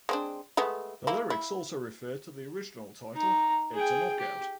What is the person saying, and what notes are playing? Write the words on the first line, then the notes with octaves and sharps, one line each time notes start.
The lyrics also refer to the original title: "It's A Knockout".
G#3 C4 D4
G#3 A3 B3
A#3 E4
E4
D#4 A#5
G#4 G5
G4